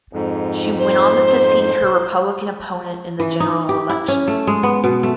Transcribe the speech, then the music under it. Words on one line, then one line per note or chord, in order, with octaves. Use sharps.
She went on to defeat her Republican opponent in the general election.
F2 G#2
C5
E3
D#4
G4
E4
C#4
A3
G#3
B3
B2
A3